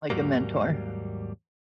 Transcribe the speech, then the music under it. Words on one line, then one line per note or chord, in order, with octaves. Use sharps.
Like a mentor.
D#2 G#2 F#3 G3 A#3